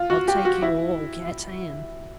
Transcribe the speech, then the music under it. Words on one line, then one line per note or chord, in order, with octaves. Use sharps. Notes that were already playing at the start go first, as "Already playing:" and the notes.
"I'll take you all, get in!"
Already playing: F4
F#4
G4
F#4
E4